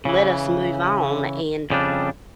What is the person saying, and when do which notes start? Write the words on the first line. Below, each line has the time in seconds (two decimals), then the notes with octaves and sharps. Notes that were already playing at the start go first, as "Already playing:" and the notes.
let us move on, and
0.05 C#3 E3
1.70 F2 C#3 G3 D4